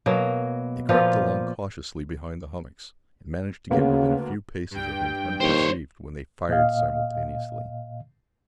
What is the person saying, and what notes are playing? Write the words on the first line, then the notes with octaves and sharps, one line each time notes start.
They crept along cautiously behind the hummocks, and managed to get within a few paces of him unperceived, when they fired simultaneously.
B2 F#3 A#3
A#2 F3 B3 F4
D2 C#3 A#3 B3
G2 G5
D#2 C5 C#5
A#2 D#5 F5